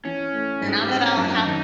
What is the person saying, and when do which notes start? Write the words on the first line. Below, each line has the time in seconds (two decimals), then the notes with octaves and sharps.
now that I'll have
0.05 E3 C#4
0.33 A3
0.61 G#2
0.68 G#3
0.80 G3
0.89 C4
0.98 C#4
1.17 F#2 D4
1.25 D#4
1.32 D4
1.45 D#3 D#4